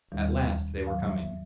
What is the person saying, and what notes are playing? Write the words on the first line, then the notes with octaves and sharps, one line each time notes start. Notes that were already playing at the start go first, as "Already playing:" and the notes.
At last, they were coming.
D#2 D#3 G3
G#2 D#3 F#3 F5
E5